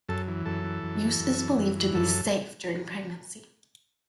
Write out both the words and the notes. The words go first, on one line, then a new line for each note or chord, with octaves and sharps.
Use is believed to be safe during pregnancy.
F#2 A4
E3
F#2 A4
E3
F#2
E3
F#2
E3
F#2
E3
F#2 A4